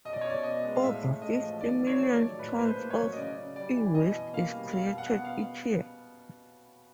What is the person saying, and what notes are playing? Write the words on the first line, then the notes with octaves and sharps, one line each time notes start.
Over fifty million tons of e-waste is created each year.
B2 D#5
D5
C#5
B2 D5
B3 D#5
G#3
F5
A2 E5
A2
A3 D#5
F3
D#3 D5
D#3
C#5
A3
D5
F#3
A2 B4
A2 B4
C5
A#3
C#5
F#3
D#5
C#3 D5
C#3
G3 D5
E3
B2 D#5
B2
A#3 F5
G3
B2 F5
B2
F#5
B3
F5